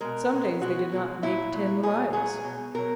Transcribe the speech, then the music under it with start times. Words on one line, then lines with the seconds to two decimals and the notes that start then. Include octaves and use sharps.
Some days they did not make ten miles.
0.01 B2 G#3 A#4
0.31 B2 G#3
0.61 B2 G#3 F#4
0.92 B2 G#3
1.22 A#2 F#3 E4
1.52 A#2 F#3
1.83 A#2 F#3 G#4
2.13 A#2 F#3 G#4
2.44 B2 F#3
2.75 B2 F#3 A#4